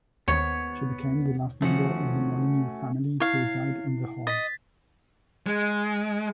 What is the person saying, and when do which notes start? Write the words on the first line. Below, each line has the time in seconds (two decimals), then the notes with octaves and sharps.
She became the last member of the Molyneux family to reside in the hall.
0.28 D#2 B3 C#5
1.62 D#3 F3 A3 C#4 F#4
3.20 E4 C#5 F5 C7
4.27 D#5 A6 B6
5.47 G#3